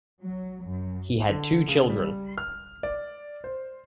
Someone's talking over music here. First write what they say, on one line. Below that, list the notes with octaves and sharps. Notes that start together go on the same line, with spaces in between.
He had two children.
F#3
F#2
D3
C#3
G3
F6
D5
C5